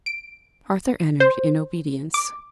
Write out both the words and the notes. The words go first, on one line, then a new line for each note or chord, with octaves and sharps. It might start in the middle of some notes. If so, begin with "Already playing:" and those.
Arthur entered, in obedience.
D7
C5
D6